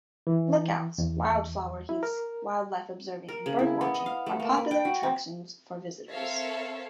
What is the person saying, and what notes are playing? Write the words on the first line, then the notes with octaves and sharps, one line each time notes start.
Lookouts, wildflower heaths, wildlife observing and birdwatching are popular attractions for visitors.
E3
E2
E4
A#4
A#4
C#3
E4
B3
D#5
F5
A3
A#3
B4
G5
F#4
C4
C4 A4 A#4 C#5 E5 F5